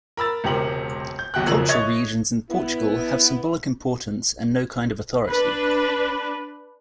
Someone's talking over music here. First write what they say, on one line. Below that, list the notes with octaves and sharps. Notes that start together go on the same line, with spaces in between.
Cultural Regions in Portugal have symbolic importance and no kind of authority.
A#4 B5 E6 A6
E1 C#2 C3 G4 A#4 F#7
G6
E1 B1 F#3 F#5 G5 F#6
E1 F2 C#3 A#4 E6 F#7
C#5 D#5 E5 C#6 G#6 A6
B3 E4
D4 B4